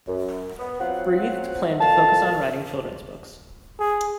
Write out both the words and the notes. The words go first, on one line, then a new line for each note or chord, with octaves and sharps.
Breathed planned to focus on writing children's books.
F#2
B3
F#3 C4 F4 F#5
F2 A#2 F5 A5
G#4